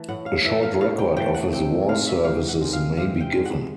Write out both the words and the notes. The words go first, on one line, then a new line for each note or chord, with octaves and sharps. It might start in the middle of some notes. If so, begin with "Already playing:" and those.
A short record of his war services may be given.
Already playing: E3 A3
A2 F#5
F5
E3 A3 E5
F5
A2 F5
G5
E3 A3 G5
F#5
C3 G5
D#3 G#3 F5
E5
C3 F5
F#5
D#3 G#3
F5
C3 F5
G5
D#3 G#3
F#5